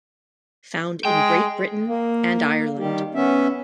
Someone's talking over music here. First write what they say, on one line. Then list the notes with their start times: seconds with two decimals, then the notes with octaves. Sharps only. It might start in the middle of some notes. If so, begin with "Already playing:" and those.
Found in Great Britain and Ireland.
1.05 G#3 G5
1.87 A#3
2.78 D#3 G3 G4
3.15 B3 C#4 E5